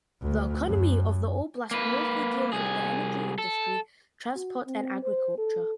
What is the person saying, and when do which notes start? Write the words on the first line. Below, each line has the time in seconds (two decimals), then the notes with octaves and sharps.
The economy of the oblast mostly deals with the energy industry, transport and agriculture.
0.22 D2
0.65 F#2
1.71 A#3 B4
2.53 C2 G#4
3.38 A4
4.36 F#4
4.67 C4
5.03 C5
5.38 A4